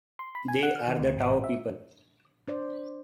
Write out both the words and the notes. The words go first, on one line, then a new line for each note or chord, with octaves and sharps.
They are the Tao people.
C6
B5
G#5
F#5
F6
D#3
D2
G#1
A1
E5
D4 C5 D5